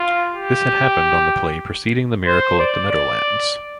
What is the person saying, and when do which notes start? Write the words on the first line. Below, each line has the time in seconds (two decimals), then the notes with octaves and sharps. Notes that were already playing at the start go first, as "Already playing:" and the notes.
This had happened on the play preceding The Miracle at the Meadowlands.
Already playing: F4
0.34 G4
2.27 C5
2.59 D5
2.92 D5